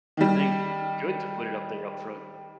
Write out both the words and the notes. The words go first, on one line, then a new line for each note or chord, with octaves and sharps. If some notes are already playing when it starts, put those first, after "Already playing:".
I think it's good to put it up there upfront.
D#3 G3